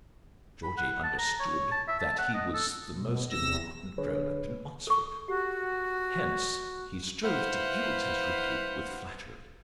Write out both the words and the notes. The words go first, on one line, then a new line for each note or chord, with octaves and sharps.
Georgie understood that he was the most important grown-up in Oxford; hence he strove to gild his rebuke with flatteries.
B5
F#5
A5
A#5
C#5
A5
E5
A5
F#5
D#5
A4
B2
E2 C3 E6 A#6
D3 G#4 B4 C#5
A4 C#6
F#4 G4
E4 B4 C5 F5 F#5